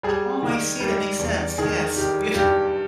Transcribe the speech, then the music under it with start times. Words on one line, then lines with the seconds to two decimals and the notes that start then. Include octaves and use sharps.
Oh, I see, that makes sense. Yes. Yeah.
0.03 G3 G#4
0.43 D#3
0.80 G3
1.19 E2
1.58 D#3 G#4
1.96 D#3 G4
2.35 G2 G4